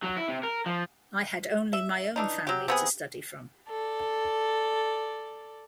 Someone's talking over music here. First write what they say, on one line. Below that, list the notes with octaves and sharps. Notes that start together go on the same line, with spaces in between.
I had only my own family to study from.
F#3
E4
C3
A#4
F3
E5
E3 D4 D#4
F#3 G4
C3 B3 G#4
A4 D5